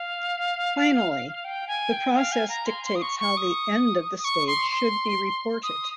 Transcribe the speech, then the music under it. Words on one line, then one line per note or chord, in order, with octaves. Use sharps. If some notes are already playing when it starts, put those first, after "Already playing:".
Finally, the process dictates how the end of the stage should be reported.
Already playing: F5
G5
G#5
G5
F5
G#5
A#5
C6
C6
D#6
C#6
C#6
D#6
D#6
C#6
C6
C6
D#6